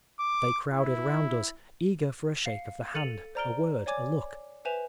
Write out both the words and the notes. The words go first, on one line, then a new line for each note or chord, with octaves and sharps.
They crowded round us, eager for a shake of the hand, a word, a look.
D6
E4
F5 C7 C#7
A4 A6 C#7 D#7 F7 F#7
C5 D5 A#5 F6 D7 G7
C#5 D5 G#5 D6 G#6
B4 C5 E5 G#5 E7 F7